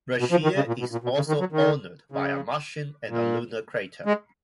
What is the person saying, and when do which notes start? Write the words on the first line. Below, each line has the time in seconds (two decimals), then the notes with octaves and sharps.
Brashear is also honored by a Martian and a lunar crater.
0.19 B2
0.31 F3
0.43 D#3
0.56 C#3
0.67 A#2
0.80 B2
0.92 A#2
1.04 B2
1.16 C#3
1.28 D#3
1.40 F#3
1.52 D#3
2.12 C#3
3.09 A#2
4.06 G#3